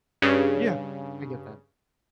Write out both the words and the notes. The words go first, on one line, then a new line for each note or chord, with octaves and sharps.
Yeah. I get that.
G2 C#3